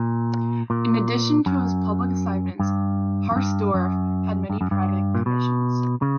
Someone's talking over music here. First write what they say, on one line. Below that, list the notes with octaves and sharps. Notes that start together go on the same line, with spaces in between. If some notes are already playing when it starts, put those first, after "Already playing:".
In addition to his public assignments Harsdorff had many private commissions.
Already playing: A#2
A#2
F#2
G2
F#2
G2
F#2
G2
F#2
G2
A#2
B2
C#3